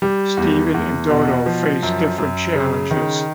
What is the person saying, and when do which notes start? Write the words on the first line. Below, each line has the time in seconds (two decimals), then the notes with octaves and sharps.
Steven and Dodo face different challenges.
0.02 G3
0.37 E2
0.74 E2
1.10 B2
1.46 F3
1.83 F#2
2.18 F#2
2.55 C#3
2.91 D#3